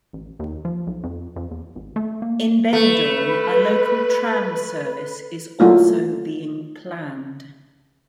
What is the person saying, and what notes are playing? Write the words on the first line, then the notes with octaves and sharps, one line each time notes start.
In Benidorm, a local tram service is also being planned.
A1
D#2
F3
B1
F2
F2
E2
G#1
A3
A#3
A3 B4
F#3 A3 A#3 E4 F4